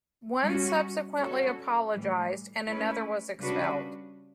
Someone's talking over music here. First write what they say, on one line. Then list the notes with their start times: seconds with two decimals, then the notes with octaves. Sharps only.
One subsequently apologised, and another was expelled.
0.44 G3 C#4 F#4
1.17 G3 C#4 F#4 A4 C#5
1.92 A2 E3 G3
2.66 A3 C#4 E4 B4
3.40 C#3 G3 D4 F#4 B4